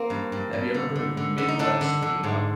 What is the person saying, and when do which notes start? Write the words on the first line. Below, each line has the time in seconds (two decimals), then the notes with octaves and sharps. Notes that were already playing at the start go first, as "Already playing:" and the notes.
Have you ever heard of Midwest emo?
Already playing: A#3 C4
0.10 G2
0.32 G2
0.53 G2
0.74 D3
0.96 D3
1.17 D3
1.38 D3
1.48 D#4
1.59 D3 D4
1.81 D3
2.02 D3
2.24 G#2